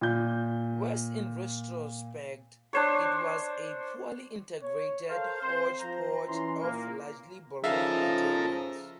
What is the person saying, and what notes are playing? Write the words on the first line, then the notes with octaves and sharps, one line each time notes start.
Worse in retrospect, it was a poorly integrated hodgepodge of largely borrowed materials.
A#2 G6
D4 C5 C#5
C#5
A4 A#4 C5 F5
C4 C5
F3 A#5
E3 C#4 A#5 C6
A#2 A#3
C#3 F3 D#4 A4 A#4 E5 F5